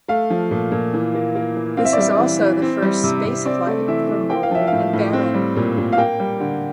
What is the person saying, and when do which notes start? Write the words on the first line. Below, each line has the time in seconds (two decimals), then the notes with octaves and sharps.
This is also the first spaceflight for Maurer and Barron.
0.08 A3 F5
0.30 F3
0.51 A#2
0.72 A#2
0.94 E3
1.14 A#3
1.35 A#3
1.56 E3
1.77 C4 F5
1.85 E5
1.93 D5
1.98 G3 E5
2.19 E3
2.40 E3
2.62 C4
2.82 G3
3.04 C3
3.25 C3
3.45 C4 D5
3.67 A3
3.88 E3 E5
4.08 E3
4.30 A#3 G5
4.43 F5
4.51 F3 E5
4.67 F5
4.72 A2
4.93 A2
5.13 C4
5.34 G3
5.56 A#2
5.78 A#2
5.93 F5
5.97 A#3 G5
6.20 G3
6.40 D3